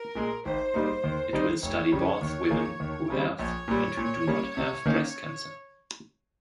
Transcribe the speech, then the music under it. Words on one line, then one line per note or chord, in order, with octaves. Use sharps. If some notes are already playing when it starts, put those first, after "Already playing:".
It will study both women who have and who do not have breast cancer.
Already playing: A#4
A#2 G#3
G#1 C5
G#2 G3 A#3 D#4
D#2
D#3 G3 C4 D#4
F1 C#5
F2 C#3 G3 C#4
D#2
D#3 A#3 F4 G#4
D#2
C#3 G3 C4
A#1 C#5
A#2 G3
A#2
G3 A#3 C#4
C3
D#3 A#3 C#4